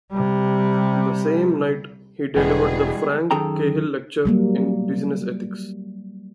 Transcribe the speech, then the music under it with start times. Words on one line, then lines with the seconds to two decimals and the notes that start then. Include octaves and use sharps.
The same night, he delivered the Frank Cahill Lecture in Business Ethics.
0.11 C3 G3
2.36 E1 E3 G3 G#3 B3 G#4
3.31 F#2 D#3 G#4 A4 G5 A#5
4.25 F#3 G3 A#3